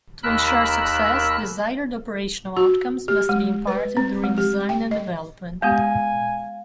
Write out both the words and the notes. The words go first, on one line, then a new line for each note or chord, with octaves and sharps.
To ensure success, desired operational outcomes must be imparted during design and development.
D#2 A#4 B5 E6 F#6
F#4
G4
G#3
B4
C4
G#3
G4
G5
D#5
G#3 B3 G4 F5 G#5